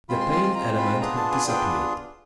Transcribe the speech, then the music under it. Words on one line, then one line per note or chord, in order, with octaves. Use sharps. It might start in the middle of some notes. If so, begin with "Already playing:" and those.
The pain element had disappeared.
G#3 C4 F4 B5
C6
C6
C6
G#3 C4 F4 A#5
B5
B3 D4 F4 G#4 A#5
A5
G#5
B3 D4 F4 G#4 G5